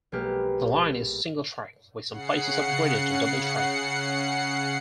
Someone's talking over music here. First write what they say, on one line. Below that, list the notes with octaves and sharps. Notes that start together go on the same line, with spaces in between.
The line is single track with some places upgraded to double track.
B1 G#3 A#3 G4 B4 F6
C#3 F#5 C7 C#7